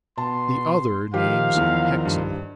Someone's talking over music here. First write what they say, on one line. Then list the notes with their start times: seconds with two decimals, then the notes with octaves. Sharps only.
The other name's Hexam.'
0.18 B2 A5 C6
1.14 D#3 F3 G4 F5
1.55 E2 E3
2.05 G2